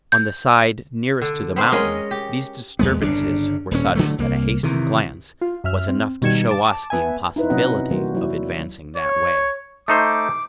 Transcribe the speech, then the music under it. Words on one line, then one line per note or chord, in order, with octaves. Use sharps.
On the side nearest to the mountain these disturbances were such that a hasty glance was enough to show us the impossibility of advancing that way.
G6
D3
B3 C4 C5
G#3 C#4 A#4 D#5
G4
E2 G#3 B3
G1 C#3 D4
D#1 G2 C#4
D3 F#3 A3
C2 A#3
C3 D#3 E3
F4
F#2 E5 F6
C4
B2 D#3 G3 G#6 C#7 E7
A5 D6
B3 E5 G#5
D#4 E4 B4 C5
C3 F#3 B3 C#4 D#5 F#5
E3 G3 A#3 F#4 C5
F#3 E4
C#5
A3 D#4 C5 D6